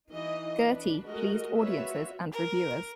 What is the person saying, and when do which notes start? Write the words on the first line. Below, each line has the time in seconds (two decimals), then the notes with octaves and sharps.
"Gertie" pleased audiences and reviewers.
0.11 E3 D#4 D#5
0.64 D4 B4
1.07 G#3 A3 F#4 A#4 D#5
1.57 F4 F#4 B4 C#5 E5
2.32 A#4